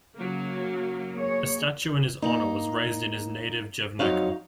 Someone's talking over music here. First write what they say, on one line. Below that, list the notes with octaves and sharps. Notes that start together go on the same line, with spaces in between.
A statue in his honor was raised in his native Jevnaker.
C#3 F#3 A#3
A#3 G#4 C#5
A#3 D#4
F2 F#3 D#4 C#5 F5